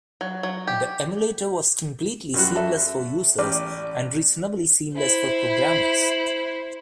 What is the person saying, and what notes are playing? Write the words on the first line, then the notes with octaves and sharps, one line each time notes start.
The emulator was completely seamless for users, and reasonably seamless for programmers.
F#3
F#3
G4
F#2 G3 F#4
A4 E5
A1 G4 D5
E4 C5